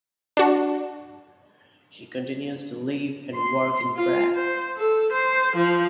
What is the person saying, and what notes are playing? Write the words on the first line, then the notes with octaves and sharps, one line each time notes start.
She continues to live and work in Prague.
D4 F#4
C6
F4
C5
A4
C5
F3